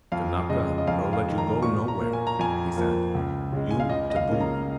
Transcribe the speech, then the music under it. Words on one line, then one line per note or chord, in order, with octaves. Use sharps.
'Kanaka no let you go nowhere,' he said; 'you taboo.
F2 F5
C#3 G#3 D#5
D#5
F2 F5
F5
D#3 G#3
A#5
A#2 C#6
A#5
A#3
G#5
A#5
F2 G#5
F3 A#3
C#2
C#3 G#3
G#5
F5
C#2 D#5
D#5
F5
C#3 A#3
A#5